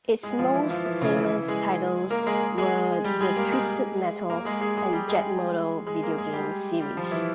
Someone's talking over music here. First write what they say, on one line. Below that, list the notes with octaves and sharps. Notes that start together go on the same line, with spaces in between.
Its most famous titles were the "Twisted Metal" and "Jet Moto" video game series.
G#3 G#4
F3 F4
E3 E4
F3 F4
E3 E4
C#3 C#4
E3 E4
G#3 G#4
A#3 A#4
G#3 G#4
G#3 G#4
G3 G4
G#3 G#4
A#3 A#4
G#3 G#4
A#3 A#4
G#3 G#4
G#3 G#4
G#3 G#4
G3 G4
G#3 G#4
G#3 G#4
A#3 A#4
G#3 G#4
G3 G4
G3 G4
F3 F4
E3 E4